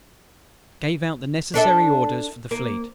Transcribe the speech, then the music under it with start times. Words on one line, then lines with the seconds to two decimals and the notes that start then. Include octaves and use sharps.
Gave out the necessary orders for the Fleet.
1.54 D4 A4 E5
2.51 A#3